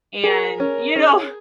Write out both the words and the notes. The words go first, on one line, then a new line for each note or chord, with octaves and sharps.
And, you know,
G#4 A#4
C#4 A#4
C#4 G#4